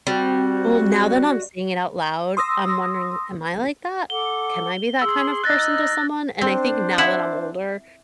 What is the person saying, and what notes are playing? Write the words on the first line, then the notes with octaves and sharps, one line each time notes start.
Well, now that I'm saying it out loud, I'm wondering, am I like that? Can I be that kind of person to someone? And I think now that I'm older
G3 C4 F#4
C6 D#6 E6 A#6
A4 F#5 D6 G7
G#4 C6 E6
D#4 F#6 A6 A#6
C4 D4 C5
E4 E5 F#5